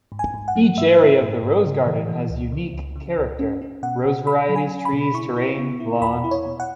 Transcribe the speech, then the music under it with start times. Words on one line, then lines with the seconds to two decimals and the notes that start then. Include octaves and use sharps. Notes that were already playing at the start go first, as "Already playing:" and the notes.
Each area of the rose garden has unique character: rose varieties, trees, terrain, lawn.
0.12 G#2
0.19 G#5
0.34 G#2
0.48 F#5
0.56 F#3
0.77 G#2 E5
0.99 E4
1.21 G#2
1.43 G#2
1.65 C#3
1.87 E3
2.08 E3
2.30 C#2
2.52 C#3
2.74 C#2
2.96 C#3
3.18 C#2
3.39 C#4
3.62 C#4
3.83 B2 F#5
4.05 B2
4.27 C#4 B5
4.49 F#3
4.56 G#5
4.71 C#4
4.85 B5
4.93 B2
5.14 E4 C#6
5.36 E4
5.57 B3
5.80 E4
6.01 E2 B5
6.24 E4
6.31 C#5
6.46 B2
6.60 F#5